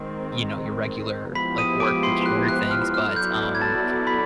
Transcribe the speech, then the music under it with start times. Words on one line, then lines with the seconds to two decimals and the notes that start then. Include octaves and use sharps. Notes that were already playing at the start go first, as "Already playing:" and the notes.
you know, your regular, like, work and care things, but, um,
Already playing: D#3 G#3 C4
1.35 F3 G#3 B3 E4 G4 B5 B6
1.58 D#6 D#7
1.80 D6 D7
2.03 C6 C7
2.26 F#6
2.48 F#6
2.71 F6
2.94 F6
3.16 F#3 B3 E4 A4 D5 G6
3.55 G#6
3.61 A5 A6
4.07 B5 B6